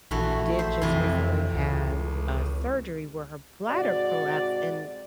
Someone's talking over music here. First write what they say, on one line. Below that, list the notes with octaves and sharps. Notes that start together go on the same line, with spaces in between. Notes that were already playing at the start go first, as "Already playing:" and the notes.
did just recently have a surgery where her bladder prolapsed and
A#1 E3 A3 F#4
C5 E5
F2 C3 E3
C#2
G#2 C3 F#4 D5